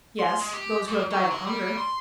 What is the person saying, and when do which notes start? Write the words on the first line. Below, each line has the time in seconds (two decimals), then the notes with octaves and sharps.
"Yes; those who have died of hunger."
0.19 C6
0.39 G#3
0.54 G4
0.88 G#2
1.11 F#3
1.31 G#3
1.47 G3
1.77 C6